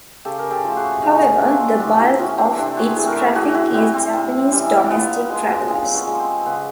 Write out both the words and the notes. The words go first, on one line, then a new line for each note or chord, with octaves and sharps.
However, the bulk of its traffic is Japanese domestic travelers.
C#3 G4 A4
A#4
G4 A4
F3 A3
F#4 G#4
C#3 C#4 D#4
F3 A3 C4 D4
C4
C3 B3 C#4
B3
C4
E3 A3 B3 C#4
C4 D4
C3 C4 D4
F#4 G#4
E3 A3 F#4 G#4
A#4
G4 A4
A2 F#4 G#4
E4 F#4
E3 G3 C4
C4
A2
E3 G3
A#2 B3
F3 G#3
A#2 C4
B3 C#4
F3 G#3
C4
C#3 B3